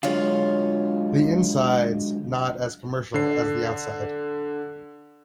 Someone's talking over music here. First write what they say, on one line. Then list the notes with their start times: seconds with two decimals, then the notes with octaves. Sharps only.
The inside's not as commercial as the outside.
0.03 D3 F#3 G#3 F4 C#5
3.14 D3 C7